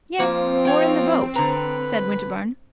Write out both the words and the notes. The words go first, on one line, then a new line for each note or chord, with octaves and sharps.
"Yes, or in the boat," said Winterbourne.
F3 A#3 C4
C#5 G5
D3 B4 A#5